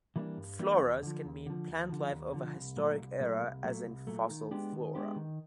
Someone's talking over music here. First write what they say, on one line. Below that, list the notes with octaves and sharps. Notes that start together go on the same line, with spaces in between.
Floras can mean plant life of a historic era as in "fossil flora".
E3 G3 A#3 D4
G2
E3 G3 A#3 D4
D#2
D3 F3
D#2
D3 F3
D#2
D3 F3
D#2
D3 F3
C2
A#2 F#3 A3
C2
A#2 F#3 A3
C2
A#2 F#3 A3
C2
A#2 F#3 A3
D#3
G#3 B3 D4 G4
D#3
G#3 B3 D4 G4
D#3